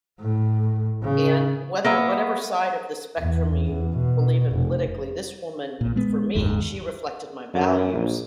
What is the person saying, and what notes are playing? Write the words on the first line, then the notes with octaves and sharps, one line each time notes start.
And whether whatever side of the spectrum you believe in politically, this woman for me, she reflected my values.
A2
C#3
A#3 B3 E5
E2
E2
B2
F1
A#1 A#2
G#3 B3
F#1 D#2 G#2
F#2
A#1